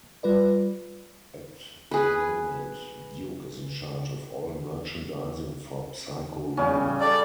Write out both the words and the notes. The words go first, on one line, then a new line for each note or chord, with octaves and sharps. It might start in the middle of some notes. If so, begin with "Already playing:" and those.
At the moment, Duke is in charge of all merchandising for Psycho Realm.
G3 F4 B4 D5
G#4 B4
C#3 G3 C#4
G3 A4 D5